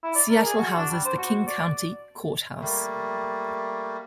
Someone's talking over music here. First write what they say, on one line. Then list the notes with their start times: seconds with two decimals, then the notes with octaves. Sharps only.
Seattle houses the King County Courthouse.
0.04 E4
0.15 D5
0.30 A#4
0.45 G#4
0.57 F#4
0.77 D4
0.91 G3
1.05 C5
1.18 F#4
1.47 D5
2.60 G3 A3 A#3